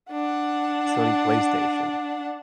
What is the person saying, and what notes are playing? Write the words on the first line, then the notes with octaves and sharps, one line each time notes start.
Sony PlayStation,
D4 F#5